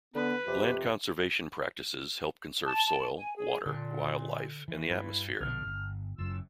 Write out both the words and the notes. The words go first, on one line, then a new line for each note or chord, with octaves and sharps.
Land conservation practices help conserve soil, water, wildlife, and the atmosphere.
D3 B3 B4
F2 C3 G4
A5
A5
G#5
G#4
A#2 D3
E3
G2 E4 B4
A#1 B2 D3 F6
G1
F#1 F#2 F4 E6